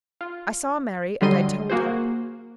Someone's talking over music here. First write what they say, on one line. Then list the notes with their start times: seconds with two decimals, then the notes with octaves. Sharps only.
"I saw Mary, and I told her."
0.21 F4
1.21 D3 F#3 G3 D#5 C6 D#7
1.70 A#3 F#4 G#4 C5